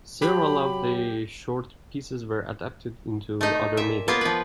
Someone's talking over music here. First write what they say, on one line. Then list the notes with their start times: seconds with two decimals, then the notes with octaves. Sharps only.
Several of the short pieces were adapted into other media.
0.22 F#3 G4 B5
3.41 A3 D#4
3.77 A#2 E5
4.08 A#3 B3 F4 F5
4.21 F3 B4